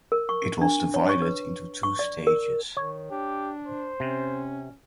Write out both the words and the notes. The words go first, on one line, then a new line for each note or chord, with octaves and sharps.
It was divided into two stages.
A#4
C#6
D4
C#5
C#6
B4
C#6
D5
A#4
D#3 C#5
D4 G4
C5
C3 C#4